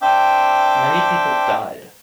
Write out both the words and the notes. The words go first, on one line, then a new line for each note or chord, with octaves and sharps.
Many people died.
C4 D4 E5 G5 D6